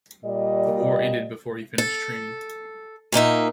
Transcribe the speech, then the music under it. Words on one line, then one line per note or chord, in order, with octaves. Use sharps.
The war ended before he finished training.
A#2 G3 D5 D#5
A4
A#2 A#3 D#4 E5